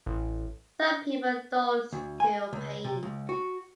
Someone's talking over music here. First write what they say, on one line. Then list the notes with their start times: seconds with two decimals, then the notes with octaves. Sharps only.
Some people don’t feel pain.
0.06 A1
1.93 D2
2.20 G#5
2.53 C#2
2.84 C3
3.03 C#2
3.29 F#4